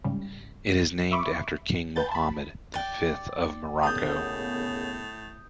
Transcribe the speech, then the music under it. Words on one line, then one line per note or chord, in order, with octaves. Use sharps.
It is named after King Mohammed the Fifth of Morocco.
G#2 C#3 G3
E5 B5 C#6 D6
B4 G6 A6
A5 B5
D5 G5
D#2 A2 C#3 B3 D#6 G6